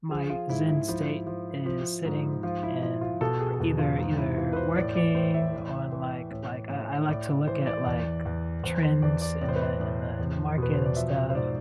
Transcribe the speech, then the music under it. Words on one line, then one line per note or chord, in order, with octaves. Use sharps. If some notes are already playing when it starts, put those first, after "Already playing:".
my Zen state is sitting, and p either either working on, like like, uh, I like to look at, like, trends in the in the in the market and stuff,
F3 G#4
F4
G#2 E4
E4
F3 E4
F3
F3
G#2
F3 F4
E4
F3 E4
F4
B2 A4
G#4
A4
E2 G#4
F4
G#2 F4
E4
E3 F4
B4
C5
A2 D5
D5
A2 C5
E5
E3
E3
A2
A2
A2 D5
E3 C5
D5
E2 D5
E2
E2 C5
C5
E2 D5
D5
A2 D5
C5
B4
C5
A2
E2
B2 B4
C5
D5
F3 E5
E5
C5
G#2 D5